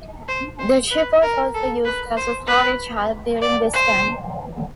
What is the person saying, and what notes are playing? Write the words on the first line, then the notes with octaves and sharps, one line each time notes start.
The ship was also used as a storage hulk during this time.
C5
C5
B4
A#4
A4
B4
C5
B4
D5
C5